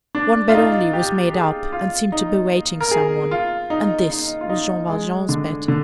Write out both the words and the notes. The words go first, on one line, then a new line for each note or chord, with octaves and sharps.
One bed only was made up, and seemed to be waiting some one, and this was Jean Valjean's bed.
D4
F4
D#4
G4
G#4
F4
D#4
A#4
G#4
F4
D#4
D#4
F4
D#4
G#3
D3
D3